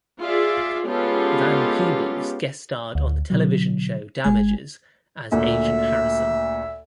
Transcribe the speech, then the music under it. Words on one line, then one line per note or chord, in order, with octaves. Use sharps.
Van Peebles guest-starred on the television show "Damages", as Agent Harrison.
F4 G#4 D5 E5
G#3 B3 C#4 F4 G4 A4
D2
B2 D3 F#3
G1 G#3 G#5
D2 A#2 E5